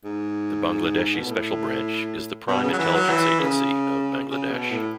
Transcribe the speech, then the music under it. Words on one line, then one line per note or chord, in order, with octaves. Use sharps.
The Bangladeshi Special Branch is the prime intelligence agency of Bangladesh.
G#2
B2
A2
B2
C#3
F#3
E3
F#3
E3
C#3
C#3
B2
A2